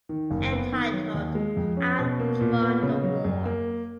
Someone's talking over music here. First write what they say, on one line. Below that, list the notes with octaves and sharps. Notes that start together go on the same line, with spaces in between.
Entitled ""I’ve Drawn the War.
D#3
F#1
B3
D#3
F#3
D#2
G#3
F2
C#4
B2
A#3
A#2
B3
C#3
F#3
F#2
A#3